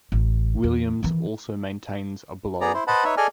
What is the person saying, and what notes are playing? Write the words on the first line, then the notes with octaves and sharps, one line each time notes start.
Williams also maintains a blog.
A1
E2
D#3 E3
B3 G#4 D5 A#5
E4 C5
B4 C5 D#5 F#5 A5 B5
D#4 B4 C#5 E5
G#4 A4 D5 D#5 G#5 F6